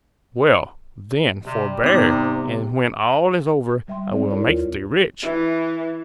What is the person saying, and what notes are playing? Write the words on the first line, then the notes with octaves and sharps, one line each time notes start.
'Well, then, forbear; and when all is over, I will make thee rich.'
C3 G3
G#2 C3 B3 D6
G3 E5 G5 C6
C4 D5
E4 F4 A4 A#4 C#5 D5
D#2 F4
E3 E4